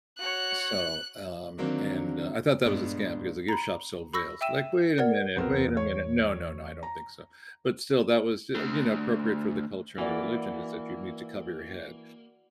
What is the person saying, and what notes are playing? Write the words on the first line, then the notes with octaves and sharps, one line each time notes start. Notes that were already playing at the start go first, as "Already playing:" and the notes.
So, um, and, uh, I thought that was a scam because the gift shop sold veils, like, "Wait a minute, wait a minute, no, no, no, I don't think so," but still, that was, eh uh, you know, appropriate for the culture and the religion is that you need to cover your head.
F#4 C#5 F#6
D3 D#3 F#3 A#3 C4 D4
G2 A#2 G#3 B3 D4
A#5 B5
B5 C#6 E6 A#6
E5 G5 E6 D#7 E7
A#4 D5 F#5 G#6
C2 F#2 F3 B3 C4 A#4
E2
C#5
A#5
D2
E3 A#3 F#4 D5